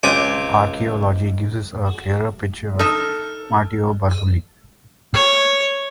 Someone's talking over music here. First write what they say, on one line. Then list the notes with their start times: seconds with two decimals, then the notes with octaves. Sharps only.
Archaeology gives us a clearer picture of martiobarbuli.
0.03 C#2 C4 G#5 D6
2.79 D#4 A4 E5 F6
5.14 C#5